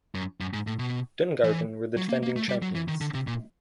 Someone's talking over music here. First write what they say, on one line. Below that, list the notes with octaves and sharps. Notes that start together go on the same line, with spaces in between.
Dungarvan were the defending champions.
F#2
F#2
G#2
A2
B2
E3
F#3
A#3
A#3
A3
G3
F#3
E3
D#3
D3
C3
A#2